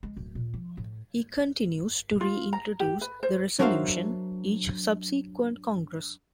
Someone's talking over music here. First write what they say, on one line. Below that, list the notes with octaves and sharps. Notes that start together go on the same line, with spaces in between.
He continues to reintroduce the resolution each subsequent Congress.
G#3
D1
A#2
F3
A2
F4
A#5
G4
B4
C5
F#3 D4 A#4 C5 E5 F5